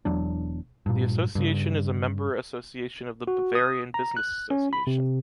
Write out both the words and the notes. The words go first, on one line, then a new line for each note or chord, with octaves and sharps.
The association is a member association of the Bavarian Business Association.
E1 E2 F#3 D4
G2 A#2
G2 C#3
F#4
D#6
A#5
F#6
C#4
B5
C3